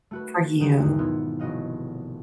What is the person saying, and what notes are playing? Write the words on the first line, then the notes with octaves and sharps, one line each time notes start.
for you.
A3 F#4 B4
D3 D#3 F#3 D#4 G4
G#1 E2
B2 B3 E4 F4
F1 F#4 D#5 F5